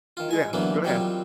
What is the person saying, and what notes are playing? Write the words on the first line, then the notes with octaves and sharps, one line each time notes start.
Yeah, go ahead.
D#3 F4
G#3 G#5
D3 E3 F#3 A#3 B3
D#3 F#3 G3 C4 F4